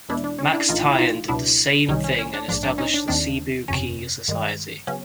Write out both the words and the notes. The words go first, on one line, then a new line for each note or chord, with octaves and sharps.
Max Tian did the same thing and established the Cebu Ki Society.
E2 B2 G#3 D4 E4
D4
C#4
D4 E4
A#1 A2 E3 D#4 F4
E4
D#4 F4
C#2 B2 F#3 B3 D4 E4
C2 C3 D#3 G3 C#4 D#4
C#4
C#4
D4
A#1 G#2 F3 D4
D4
C#4 D#4
D4
D#2 D#3 G#3 C4 D4
G1 F2 C3 C#4
G2 D#3 G#3
C#3 F#3 B3 C#4